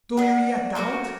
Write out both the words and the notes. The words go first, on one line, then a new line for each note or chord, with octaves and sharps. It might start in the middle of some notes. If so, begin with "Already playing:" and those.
"Do you yet doubt?"
D4 F#5
A3 A#3 C4 F#4